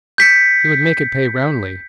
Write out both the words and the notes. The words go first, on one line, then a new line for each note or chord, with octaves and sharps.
He would make it pay roundly.
G6 B6 C#7